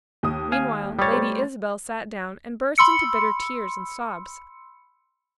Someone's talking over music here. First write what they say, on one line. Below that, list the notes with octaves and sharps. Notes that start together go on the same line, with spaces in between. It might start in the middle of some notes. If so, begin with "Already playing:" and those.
Meanwhile, Lady Isabel sat down and burst into bitter tears and sobs.
D#2 D#6
F5 G#5
G3 C#5 D#6 A6
A3 C5
B5 C6 E6 C#7